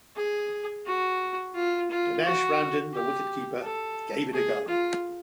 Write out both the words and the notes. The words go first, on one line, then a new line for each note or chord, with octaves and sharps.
Denesh Ramdin, the wicket-keeper, gave it a go.
G#4
F#4
F4
F4
F#4
G4
A4
G#4
F4